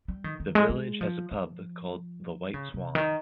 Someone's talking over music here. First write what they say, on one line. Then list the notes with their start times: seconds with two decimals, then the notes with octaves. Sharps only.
The village has a pub called The White Swan.
0.08 G3
0.24 D#3
0.40 D#3
0.55 G#3
0.70 G#3
1.01 F3
1.31 F3
2.54 C#3
2.74 C3
2.95 D#3